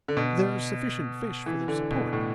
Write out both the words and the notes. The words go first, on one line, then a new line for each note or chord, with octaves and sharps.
There are sufficient fish for their support.
D3
B2
E3
D3
B2
A2